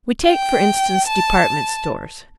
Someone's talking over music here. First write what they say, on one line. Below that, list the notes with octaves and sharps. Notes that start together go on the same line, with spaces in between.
We take, for instance, department stores.
G5
A5